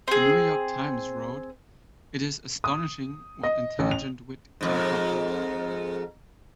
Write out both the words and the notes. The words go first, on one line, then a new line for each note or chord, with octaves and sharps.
"The New York Times" wrote, "It is astonishing what intelligent wit can accomplish".
C4 G#4
D#6
D#5
A1
F7
F2 G#2